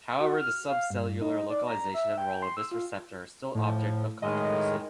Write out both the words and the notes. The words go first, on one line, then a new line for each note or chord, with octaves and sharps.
However the subcellular localization and role of this receptor are still object of controversy.
F#4
F6
F5
G2
D#4
D5
A#5
E5
G5
C6
E6
F4
A2 F3
A2 D#3 G#3 D#5